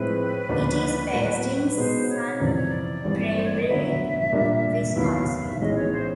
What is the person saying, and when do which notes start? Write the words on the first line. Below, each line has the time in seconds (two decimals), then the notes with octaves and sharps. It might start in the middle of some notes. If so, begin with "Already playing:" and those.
It is based in Sun Prairie, Wisconsin.
Already playing: A2 F3 G#3 C4 E4 B4
0.49 D2 C#3 F3 A#3 D4
1.13 A2 F#3 A#3
1.76 B2 G#3 B3 D#4 C5
2.09 C#5
2.40 F2 C3 E3 D5
2.54 C#5
2.68 D5
3.04 G#1 G2 E3 G3
3.34 C5
3.43 C#5
3.52 D5
3.60 D#5
3.68 D3 F#3 B3 E5
4.33 A#2 G3 A#3 D4
4.96 D#2 D#3 F#3 B3 E4 F5
5.12 F5
5.27 F5
5.44 E5
5.60 B1 A2 E3 G#3 C#4 D#5
5.75 C#5
5.91 C5